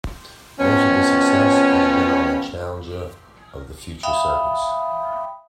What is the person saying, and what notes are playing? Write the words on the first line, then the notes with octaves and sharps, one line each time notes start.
Most of his success has been on the challenger and future circuits.
F2 B2 C#4
E5 F5 G5 B5 D#6